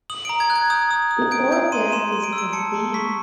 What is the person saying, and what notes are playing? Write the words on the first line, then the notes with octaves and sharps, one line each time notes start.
The Organ is complete.
D#6 F#7
A#5 D7
G#6
F#6
G#6
D#6 G6
D#6
D#6
G6 D7
G6 D7
C6 D#7
C6 E7
C6 D#7
D7
E6
D7
A5 C#7
A5
C#6 B6